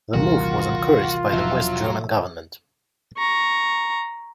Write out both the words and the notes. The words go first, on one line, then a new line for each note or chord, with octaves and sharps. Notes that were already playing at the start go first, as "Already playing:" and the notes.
The move was encouraged by the West German government.
A#1 D#2 C3 E3 G3 F4 F#4 A#4
E1 F3 F#3 E5
A#5 C#6